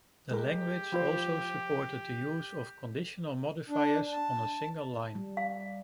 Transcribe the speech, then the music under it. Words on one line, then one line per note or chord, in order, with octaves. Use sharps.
The language also supported the use of conditional modifiers on a single line.
G#3 G4 A#4
F3 F4 C5
D4
A5
G3
F5